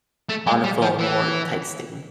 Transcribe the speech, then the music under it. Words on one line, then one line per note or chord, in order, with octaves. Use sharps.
on a phone or texting.
A3
G#3
G3
F3
E3